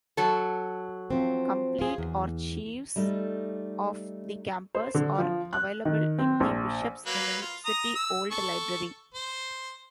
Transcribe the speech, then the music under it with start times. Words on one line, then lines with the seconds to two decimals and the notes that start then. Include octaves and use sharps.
Complete archives of "The Campus" are available in the Bishop's University Old Library.
0.17 F#3 A4
1.11 F3 C4
1.79 F4 G#4
1.98 E2
2.96 G3 A3 D#4
4.75 C5
4.95 D3
5.18 F3
5.53 F#6
5.85 D#3
6.19 C4
6.40 A#1
7.06 F#3 A#3 B4
7.42 F4
7.65 A#5 D#6
7.95 E6
8.31 A4 C#6
9.14 C5